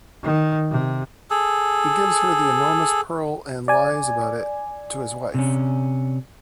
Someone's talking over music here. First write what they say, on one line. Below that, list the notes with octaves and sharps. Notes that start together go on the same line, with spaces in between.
He gives her the enormous pearl and lies about it to his wife.
D#3
C3
G#4 A4
D5 G#5
C3 C#4